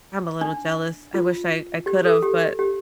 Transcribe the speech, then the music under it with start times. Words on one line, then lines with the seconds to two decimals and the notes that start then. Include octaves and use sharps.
I'm a little jealous, I wish I I could've, but,
0.41 D4
1.14 F4
1.86 G4
2.05 A4
2.23 G4
2.59 G4